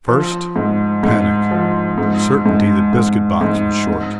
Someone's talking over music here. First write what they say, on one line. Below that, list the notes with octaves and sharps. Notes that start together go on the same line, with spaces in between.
First panic, certainty that biscuit-box was short.
F3
G#2
G#2
F3
G#2
G#2
G#2
G#2
G#2